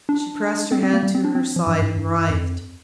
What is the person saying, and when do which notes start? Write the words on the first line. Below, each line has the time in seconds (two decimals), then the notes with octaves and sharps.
She pressed her hand to her side and writhed.
0.09 D4
0.72 C4
0.83 C4
0.94 A#3
1.03 G3
1.15 C4
1.25 D4
1.35 C4
1.56 F3
1.67 G2
1.82 G2
1.98 G2
2.29 F2